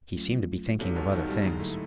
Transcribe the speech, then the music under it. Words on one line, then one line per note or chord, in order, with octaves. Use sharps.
He seemed to be thinking of other things.
F#3 A3 C#4 F4
C2 C3 B3 D#4 F#4 A4 C#5
B1 B2
D#2 D#3
G2 G3
G#2 D3 F#3 G#3 A#3
A2 A3